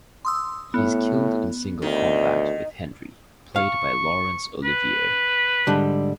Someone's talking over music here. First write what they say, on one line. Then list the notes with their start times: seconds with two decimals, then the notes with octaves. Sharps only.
He is killed in single combat with Henry, played by Laurence Olivier.
0.25 C6 D#6 E6
0.74 A2 B3
1.82 D2 D#3
3.56 F5 C#6
4.64 B4
5.67 G#2 D3 G3